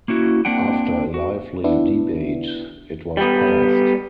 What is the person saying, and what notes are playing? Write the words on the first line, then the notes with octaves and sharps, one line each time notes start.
After a lively debate, it was passed.
A#3 C#4 E4 F#4
A#3 C4 D4 F#5 G5
F#4
B3 D4 E4
G3 B3